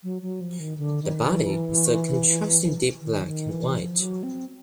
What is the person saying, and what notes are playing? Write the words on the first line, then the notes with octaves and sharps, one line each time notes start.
The body is a contrasting deep black and white.
F#3
F#3
F3
D#3
D3
D#3
E3
D#3
D#3
E3
F3
F#3
C4